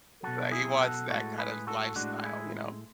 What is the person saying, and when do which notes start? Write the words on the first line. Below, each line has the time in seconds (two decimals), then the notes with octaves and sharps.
Like, he wants that kind of lifestyle, you know?
0.23 B2 F#3 F#4 A4
0.52 E4 G#4
0.81 F#4 A4
1.09 A2 G#3 F#4 A4
1.39 G#4 B4
1.67 F#4 A4
1.96 A2 G#3 D4 F#4
2.24 E4 G#4